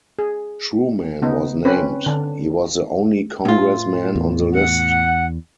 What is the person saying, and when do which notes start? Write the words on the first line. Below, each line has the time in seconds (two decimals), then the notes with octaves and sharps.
Truman was named; he was the only congressman on the list.
0.19 G#4
1.22 C#3 B3 D#4
1.65 C4 C#4 B4
2.06 D3 D4
3.45 A2 F4
4.15 E2
4.53 F#5